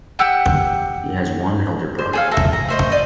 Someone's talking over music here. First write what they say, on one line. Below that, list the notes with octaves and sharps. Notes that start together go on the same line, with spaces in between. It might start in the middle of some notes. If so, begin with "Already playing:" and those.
He has one elder brother.
G4 F#5 E6 F#6
C5
G#4 A4 F5
A4 E5 A#5
A#5
A3 C5 D#5
D5 D#5